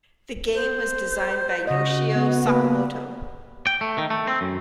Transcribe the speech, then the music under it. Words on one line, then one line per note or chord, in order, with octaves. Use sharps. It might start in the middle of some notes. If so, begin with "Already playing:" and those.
The game was designed by Yoshio Sakamoto.
C5
C#3 F#4 D#5
B3
A#3 B4
G5
A3
D#3
A3
C4
F#2